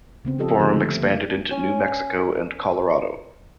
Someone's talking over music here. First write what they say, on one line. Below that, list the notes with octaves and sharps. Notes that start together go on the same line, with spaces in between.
Forum expanded into New Mexico and Colorado.
C#3 B3 C4
F3 C#4 F4 G4 A4 D#5
D3 F3 C4 G4 A4
D3 A3
A#3
C#4 G#5